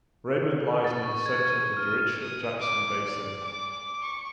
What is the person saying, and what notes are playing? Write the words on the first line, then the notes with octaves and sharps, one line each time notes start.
Raimond lies near the center of the Dirichlet-Jackson Basin.
A6
C#6
G#6
D#7
F6
D#6
D6
D5
D6
C#6